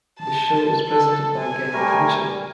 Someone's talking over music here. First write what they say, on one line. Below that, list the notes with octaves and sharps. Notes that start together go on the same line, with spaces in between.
The show is presented by Gareth Mitchell.
A5
A4
G#5
G3 A3 A#4
G3